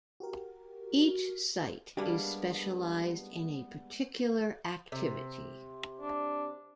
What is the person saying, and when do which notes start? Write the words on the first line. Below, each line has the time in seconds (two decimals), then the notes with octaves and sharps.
Each site is specialised in a particular activity.
0.20 F#4 G4 A#4
1.97 G3 G#3 A#3 B3 D4 G4
4.92 C3
6.01 D4